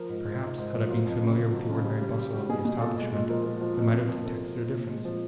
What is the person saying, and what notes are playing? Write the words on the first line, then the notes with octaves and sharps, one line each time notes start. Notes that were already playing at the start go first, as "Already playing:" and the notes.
Perhaps, had I been familiar with the ordinary bustle of the establishment, I might have detected a difference.
Already playing: F3 A#4
G#2
G#2
G#2
G#2
F3
F#3 F4
F2
C#3
C#3
F#3
C#3
G3
G3
G3
G3 F#4
B2 G#4
B2
A#2 A4
G#3
A#2
F3 A#4
F3
F3
F2
C3
F2
C3 A4
F2
F2
A#2
G#3
F3